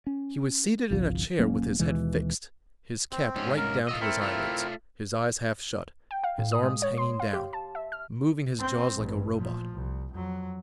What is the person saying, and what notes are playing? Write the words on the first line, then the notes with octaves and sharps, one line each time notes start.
He was seated in a chair with his head fixed, his cap right down to his eyelids, his eyes half shut, his arms hanging down, moving his jaws like a robot.
C#4
G1 C2 F3
E1 F#3 A#3 C#4
D#2 B2 E3 G#3
C4
G#2 C#4
A#4
F4 F#4 D#5 E6
A3 C4 E4 A#4
A3 F4
G5
F5
A2
D#6
G#3
C#5
C6
F5
G4
A5
E5
F6
C4
A1 G2
A#2 F3
C2
F2 F#3